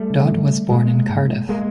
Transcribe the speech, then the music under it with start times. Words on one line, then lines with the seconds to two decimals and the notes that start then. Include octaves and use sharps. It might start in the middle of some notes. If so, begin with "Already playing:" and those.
Dodd was born in Cardiff.
Already playing: G3 A3
0.10 C#3
0.30 G#2
0.70 G#2 G#3 A#3
1.09 G#2
1.49 G#3 A#3